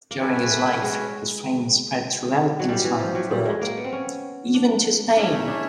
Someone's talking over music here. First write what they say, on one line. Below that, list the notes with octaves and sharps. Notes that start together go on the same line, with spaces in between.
During his life his fame spread throughout the Islamic world, even to Spain.
A#3
A3 C#4 F#4 B4 E5 G#5
A3
G#3
A3
A3
G#3
F#3
G3 C#4 E4 G4
E3
F3
F#3
G3
G#3
A#3
B3
C4
C#4
D4
C#4 D4 E4 G#4 C#5 E5
D#4
D4